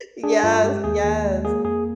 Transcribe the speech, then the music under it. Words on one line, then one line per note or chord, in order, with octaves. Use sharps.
Yes, yes.
D4 G#4
G2 F4
G#3 G4
D#2 G#4
D#2
G#3
A#3 G#4
F2 G#4